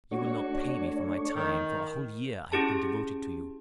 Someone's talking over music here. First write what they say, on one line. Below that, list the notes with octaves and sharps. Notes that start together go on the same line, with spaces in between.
You will not pay me for my time--for a whole year I have been devoted to you!
A3 D4 F#4 C#5
D#3
C#4 E4 G4 G#4 A5